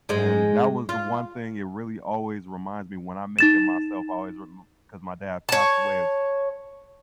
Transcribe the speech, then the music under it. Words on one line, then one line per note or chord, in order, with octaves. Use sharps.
And that was the one thing it really always reminds me when I make it myself, I always rem 'cause my dad passed away,
G#2 G#3
F4
D#4 A6 E7
C#5 A5